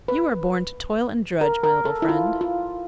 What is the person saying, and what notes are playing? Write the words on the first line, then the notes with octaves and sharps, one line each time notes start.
You are born to toil and drudge, my little friend.
B4
A#4
A#4
A4
E4
F4
F4